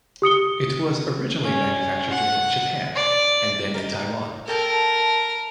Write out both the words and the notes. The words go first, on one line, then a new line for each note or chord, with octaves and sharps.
It was originally manufactured in Japan and then in Taiwan.
G4 D#6 C#7 G7
C#4
F#5
D5
D#4 A#4
A4 A#4 G5 A5